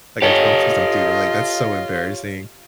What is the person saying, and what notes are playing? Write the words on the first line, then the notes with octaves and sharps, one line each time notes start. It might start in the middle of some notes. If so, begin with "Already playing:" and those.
Like, I tell him, "Please don't do that. Like, that's so embarrassing."
F4 G4 A4 C#5 D#5